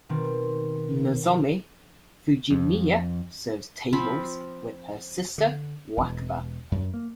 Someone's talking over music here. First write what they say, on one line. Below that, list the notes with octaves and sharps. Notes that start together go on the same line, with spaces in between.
Nozomi Fujimiya serves tables with her sister Wakaba.
B2 D#3 C4
F2
F3 C4 B5
D3
E1
F#2
A#3